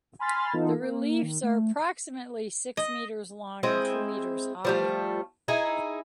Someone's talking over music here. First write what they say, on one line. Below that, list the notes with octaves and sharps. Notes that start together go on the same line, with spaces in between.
The reliefs are approximately six metres long and two metres high.
G#5 B5 C6 F6 A6
E3 B3 D#4 F4 A4
A#3
D#3
A3
D#5
G#3 C4 E4 D#5
F3 G3 A3
D#4 E4 G#4